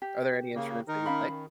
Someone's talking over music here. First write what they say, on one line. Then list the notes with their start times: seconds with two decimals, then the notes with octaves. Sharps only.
Are there any instruments that you play?
0.02 G4
0.55 C#3 A#3
0.88 D#3 D#4 A#4
1.06 C#4 F5 B5
1.29 D#3